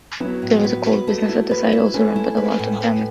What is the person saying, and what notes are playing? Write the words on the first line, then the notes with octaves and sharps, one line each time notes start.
There was a coal business at the side, also run by the Walton family.
F#3 B3 E4
A2
B4
B4
A3
E4
B4
E4
A3 C#4 B4
E4
B4
A2
B4